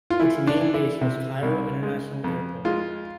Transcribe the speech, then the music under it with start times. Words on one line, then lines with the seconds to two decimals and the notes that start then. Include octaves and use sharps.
Its main base was Cairo International Airport.
0.10 F4
0.20 E3 E4
0.47 D4
0.60 E3
0.74 E4
1.01 C3
1.42 C2
1.83 G#3
2.24 F2
2.65 G#3 F4